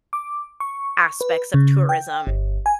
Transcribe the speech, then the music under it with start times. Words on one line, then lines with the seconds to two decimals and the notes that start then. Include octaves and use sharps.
aspects of tourism,
0.13 D6
0.60 C#6
1.21 B4
1.54 C#3
1.89 G5
2.27 G1
2.66 G#5